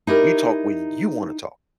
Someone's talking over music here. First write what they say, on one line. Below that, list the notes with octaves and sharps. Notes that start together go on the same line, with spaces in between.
you talk when you wanna talk.
D#4 E4 G4 A#4